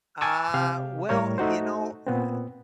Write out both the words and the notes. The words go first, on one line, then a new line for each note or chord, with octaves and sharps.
Uh, well, you know, eh
G#5 A5 C#6 D6 E6
C3 G4 F5
A2 G3 A#4 C#5
A3 D#4 F#4 C5
A#2 B3 C4